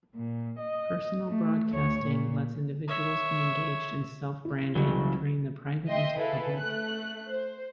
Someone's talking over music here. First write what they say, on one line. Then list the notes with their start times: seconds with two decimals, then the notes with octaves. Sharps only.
Personal broadcasting lets individuals be engaged in self-branding, turning the private into public.
0.16 A#2
0.59 D#5
1.28 A3
1.71 D2 C#5
2.04 A#2
2.88 C#5 E5
4.45 E4
4.75 C#2 C#3 E3 F#3 G3
5.87 D#5 E5 G5 C6 D#6
6.17 E4 G#4 A4 B4 E5 F5
6.56 A3 F#6
7.29 C5